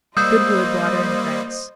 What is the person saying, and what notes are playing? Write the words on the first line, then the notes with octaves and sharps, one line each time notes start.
Good wood, water, and grass.
G3 A#3 C5 D#5 D#6 E6 G6